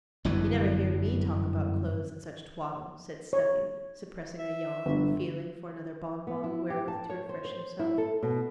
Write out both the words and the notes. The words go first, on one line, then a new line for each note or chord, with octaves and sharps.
You never hear me talk about clothes and such twaddle,' said Stuffy, suppressing a yawn, and feeling for another bon-bon wherewith to refresh himself.
G1 F#2 A2 E3
C#5
E5
G1
B3
E4
G4
A5
C#5
C5
C5
E4
A4
B2